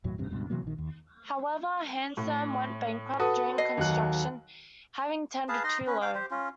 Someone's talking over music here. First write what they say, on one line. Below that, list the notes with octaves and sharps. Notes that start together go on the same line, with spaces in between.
However, Hansom went bankrupt during construction, having tendered too low.
E1 D#2 A2 F#3
D1 A1 G2 C3
C#2 G2 B2
C3 E3 F#3 A#3
A#1 D#3
D#2
A2
F#4 A4 B4 D#6
D#5 C7
D#2 F#3 F#6
G#4 B4 F5 A5
D#4 D#5 C6
C#4 B4
F5 G5 D6
G4 C5
C#4 F4